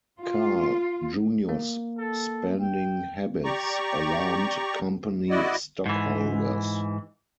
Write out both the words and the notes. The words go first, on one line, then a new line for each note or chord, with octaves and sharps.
Carl, Junior's spending habits alarmed company stockholders.
F4
A#3
A4
G5
G4 D5 A#5 C#6
E4 F#4 D5 D#5
G#2 E3